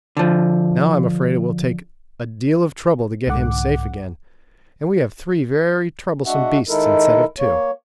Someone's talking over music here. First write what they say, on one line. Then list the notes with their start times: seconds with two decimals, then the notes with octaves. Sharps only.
Now I'm afraid it will take a deal of trouble to get him safe again, and we have three very troublesome beasts instead of two.
0.17 D3 F3
3.27 C2 G#2 D3 F#5 D6
6.26 G#3 D4 F#4 E5 F#5
6.69 D#3 G#3 D#4 E4 A4 A#4
7.39 A#3 C#5